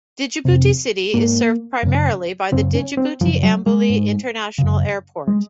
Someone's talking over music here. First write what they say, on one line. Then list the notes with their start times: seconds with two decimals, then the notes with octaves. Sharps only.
Djibouti City is served primarily by the Djibouti-Ambouli International Airport.
0.45 F2 C3
1.14 G#2 A#3
1.83 F#2 C#3
2.52 F#2 C#3 C4
2.75 C#4
2.97 C4
3.21 F#2 F3
3.26 C#3
3.43 F#3
3.66 G#3
3.89 G#2
4.58 F#2 C#3
5.28 G#3